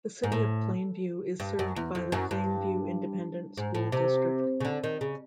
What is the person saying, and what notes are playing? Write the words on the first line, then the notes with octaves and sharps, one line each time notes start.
The City of Plainview is served by the Plainview Independent School District.
G#2
A2
G2
F#2
E2
F2
F#2
G2
G#2
A2
C3
C#3
D3
D#3
C#3